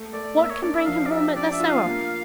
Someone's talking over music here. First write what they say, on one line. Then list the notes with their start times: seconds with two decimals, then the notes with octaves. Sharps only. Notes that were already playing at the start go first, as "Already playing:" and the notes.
What can bring him home at this hour?
Already playing: A3
0.13 A3 D5
0.37 A#3 E5
0.50 C#5
0.62 D4 D5
0.74 E5
0.86 F3 F5
1.06 D5
1.11 G4 E5
1.36 D4 D5
1.52 E5
1.60 F4
1.68 F5
1.85 A#3